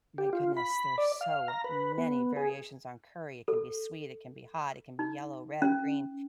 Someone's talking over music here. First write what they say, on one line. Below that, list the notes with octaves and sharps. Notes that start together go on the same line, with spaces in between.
my goodness, there are so many variations on curry: it can be sweet, it can be hot, it can be yellow, red, green,
G4
F4
B5
D5
F5
A#5
B4
B3
G#4
A4
D#4
C#4